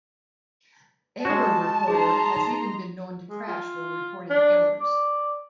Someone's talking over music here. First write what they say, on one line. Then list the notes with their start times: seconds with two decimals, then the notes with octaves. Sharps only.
Error Reporter has even been known to crash while reporting errors.
1.25 G#3 F#4 A5
1.88 D#4 G#4 A#5 C6
3.29 G#3
3.47 F4
4.30 D4
4.80 D5